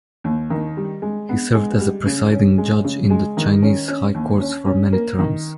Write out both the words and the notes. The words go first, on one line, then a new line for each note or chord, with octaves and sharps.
He served as a presiding judge in the Chinese high courts for many terms.
D#2
D#3
G3
G#3
B3
G#3
G3
C#3
C#4
G#3
C#3
G#3
D#3
C#4
C#4
D#2
C#4
C#4
A#3
D#3